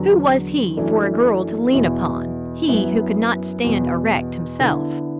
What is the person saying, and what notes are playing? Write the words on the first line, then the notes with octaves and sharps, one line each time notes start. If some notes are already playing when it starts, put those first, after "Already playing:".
Who was he for a girl to lean upon?--he who could not stand erect himself!
Already playing: E2 D3 F#3 B3
F#2 E3 A3 D4
E2 B2 B3 E4
F#2 F#3 B3 E4
E2 B2 B3
D3 B3 E4